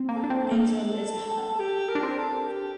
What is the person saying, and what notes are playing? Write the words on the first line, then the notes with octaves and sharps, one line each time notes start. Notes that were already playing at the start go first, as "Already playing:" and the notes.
Basil is a herb.
Already playing: C4
A#3
A4
D4
C4
A4
A#3
A4
G4
A#4
D4
C4
A4
G4